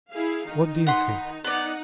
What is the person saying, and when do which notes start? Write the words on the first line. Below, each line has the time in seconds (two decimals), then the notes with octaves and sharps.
'What do you think?
0.11 E4 G#4 F5
0.45 D#3 D#4
0.87 F#5 B5 C6
1.44 B3 D#4 D5 F#5